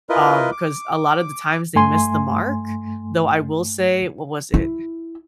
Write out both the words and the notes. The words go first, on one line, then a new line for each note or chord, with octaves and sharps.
um, 'cause a lot of the times they missed the mark, though I will say What was it?
E4 F4 A#4 B4 D#5
D6
G2 A3 G#5 C6
E4